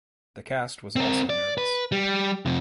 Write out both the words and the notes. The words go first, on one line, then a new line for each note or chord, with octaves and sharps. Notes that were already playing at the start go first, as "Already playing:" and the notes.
The cast was also nervous.
C4 A#4
D5
B4
G3
F2 C3